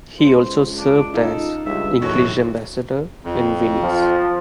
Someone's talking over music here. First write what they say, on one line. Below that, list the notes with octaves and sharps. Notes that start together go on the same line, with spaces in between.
He also served as English ambassador in Venice.
C#2 C5
D4
D#4 F4 A4
C#2 G2 E5
A1 D#2 A2 F#3 F#4
F2
F3